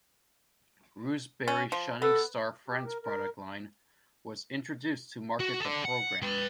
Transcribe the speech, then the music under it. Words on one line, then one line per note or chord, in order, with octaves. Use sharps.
Russ Berrie's Shining Star Friends product line was introduced to market the program.
C#4
F3
B3 A4
G4
A#4
A#4
F#4
A4 D5
F#5
B4 G5